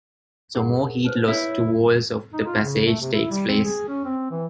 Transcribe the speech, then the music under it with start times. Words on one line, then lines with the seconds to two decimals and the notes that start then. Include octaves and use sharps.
So more heat loss to walls of the passage takes place.
0.55 G#4 A#4 F#5
1.05 D#4 B4 C5
1.28 E4 C#5
2.33 D#4
2.46 F4
2.62 C#3
2.86 A3
3.01 C3
3.14 E4
3.31 G3
3.48 C4
3.64 G#4
3.89 C#4
4.05 C4
4.31 E3